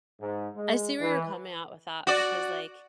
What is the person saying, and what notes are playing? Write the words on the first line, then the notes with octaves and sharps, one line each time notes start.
I see where you're coming at with that because like
G#2
G#3
E3
F#4 D5